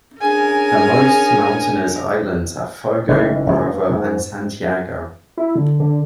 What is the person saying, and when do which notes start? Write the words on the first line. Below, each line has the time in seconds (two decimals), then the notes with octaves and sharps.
The most mountainous islands are Fogo, Brava and Santiago.
0.21 C#4 D4 G#4 A#4 G#5
3.08 F#1 D#3 E3
3.47 F#1 F#2 E3 F3
3.66 G2
3.90 G#2
5.37 E4
5.55 D3
5.80 D3